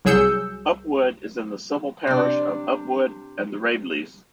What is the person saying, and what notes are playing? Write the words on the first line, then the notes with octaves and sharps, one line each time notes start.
Upwood is in the civil parish of "Upwood and The Raveleys".
C2 F#3 G#4 E6 G6 C#7
C3 D4